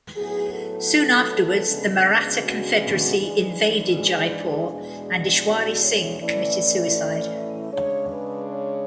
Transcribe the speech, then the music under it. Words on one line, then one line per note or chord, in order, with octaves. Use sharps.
Soon afterwards the Maratha Confederacy invaded Jaipur and Ishwari Singh committed suicide.
A2 F#3 B3 G#4
A4
D2 C#3 G#3 B3 D4
F#4
F#4
G#2 E3 G#3 D4 G#4
G#4
E2 B2 G#3 D4
F#4
C#5
A2 E3 A3 C#4 D5
C#3 G#3 D4 C#5
B4
C#5